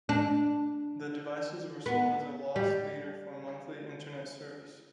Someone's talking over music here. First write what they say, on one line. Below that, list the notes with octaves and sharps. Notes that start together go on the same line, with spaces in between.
The devices were sold as a loss leader for monthly Internet service.
D4
B3
G3